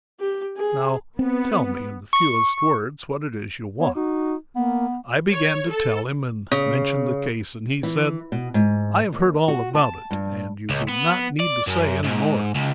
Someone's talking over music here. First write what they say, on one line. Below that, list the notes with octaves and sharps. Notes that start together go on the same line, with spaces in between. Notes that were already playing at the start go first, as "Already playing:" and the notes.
Now tell me in the fewest words what it is you want." I began to tell him, and mentioned the case, and he said: "I have heard all about it and you do not need to say any more.
G4
G#4
B3 C4
C#6
B3 C#5
D#4 F#4
A#3 B3
C#5
A4
C#3
E3
B2
G#2
D#2
F#4
A5
G2
C#2
B3
D5
F#2
G#2
C#2